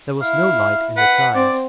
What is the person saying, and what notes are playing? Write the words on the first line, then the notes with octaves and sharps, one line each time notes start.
There was no light in its eyes.
E4 F5
B4 F#5
C4 D5